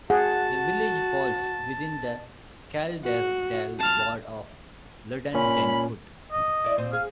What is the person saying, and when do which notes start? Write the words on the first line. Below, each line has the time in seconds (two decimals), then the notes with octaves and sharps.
The village falls within the Calderdale Ward of Luddendenfoot.
0.10 F#4 G#4 F#5 A5
3.04 F#4
3.79 A5 F6
5.34 A#2 C#4 B5
6.32 D#5
6.64 E4 D5
6.78 A#2 C4 D#5
6.93 G#4 F5